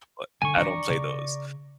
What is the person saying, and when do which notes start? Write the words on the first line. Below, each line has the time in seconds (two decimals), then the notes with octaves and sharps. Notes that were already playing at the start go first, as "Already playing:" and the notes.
but I don't play those,
0.42 D3 G#5 C#6
0.57 E3 D4 D5 A#5 C#6
0.89 C#3